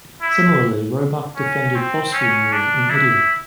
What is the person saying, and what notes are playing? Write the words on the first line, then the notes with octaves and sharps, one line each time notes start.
Similarly Roebuck defended Austrian rule in Italy.
E4
C#4
C4
C#4
D4
E4